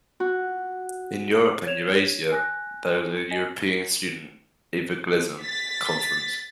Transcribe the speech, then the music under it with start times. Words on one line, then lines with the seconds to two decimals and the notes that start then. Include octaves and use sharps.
In Europe and Eurasia, there is the European Student Evangelism Conference.
0.20 F#4
1.66 C#5 G#6 E7 F7
2.32 G#5 F#6 A#6
3.17 C#7
3.30 D#5 G#5 A#6
5.42 A6 B6